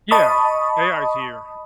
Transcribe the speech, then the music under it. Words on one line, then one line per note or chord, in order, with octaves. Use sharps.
Yeah, AIs here.
D#5 A5 B5 C#6 D#6